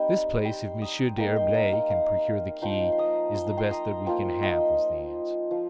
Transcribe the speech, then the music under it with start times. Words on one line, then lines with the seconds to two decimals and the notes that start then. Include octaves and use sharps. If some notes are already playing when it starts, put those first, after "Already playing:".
"This place, if Monsieur d'Herblay can procure the key, is the best that we can have," was the answer.
Already playing: G3 C4 D#4 G5
0.45 G5 C6
0.81 A#5 D#6
1.18 A#3 D#4 G5 C6
1.36 G5 C6
1.49 C6
1.54 F5 A#5
1.73 D#5 G5
1.90 F5 A#5
2.62 F3 D#4 G5 C6
2.92 C6
2.98 A#5 D#6
3.34 C6
3.47 A#5
3.57 G5 C6
3.71 A#5 D#6
4.06 F3 A#3 F4 G5 C6
4.42 D#5 G5
5.51 F3